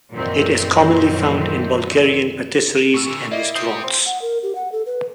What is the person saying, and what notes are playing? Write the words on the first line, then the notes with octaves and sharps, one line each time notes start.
It is commonly found in Bulgarian patisseries and restaurants.
F#2 A#2 D#3 E3 C4
A2 C#6 E6
A#2 D3
A#3 E4 D5 D#5
C4 G4 D#6 G6 C7
C4 C6
F#5
A#4
G4
F#5
A4
B4